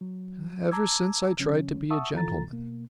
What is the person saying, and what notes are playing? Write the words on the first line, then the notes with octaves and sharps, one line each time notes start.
"Ever since I tried to be a gentleman."
F#3
A5 A#5 D6 E6 G#6
C#3 F#3 C#4
E5 F#5 A5 C#6 D#6 E6
E3 F4 A4 A#5 A6
B2 A#3